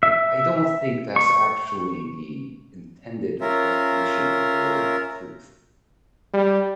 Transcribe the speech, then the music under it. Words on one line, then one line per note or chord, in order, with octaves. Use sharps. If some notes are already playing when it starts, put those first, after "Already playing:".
I don't think that's actually the intended definition of the word "truth."
E5
C#6
C#4 F4 A#4 E5
G3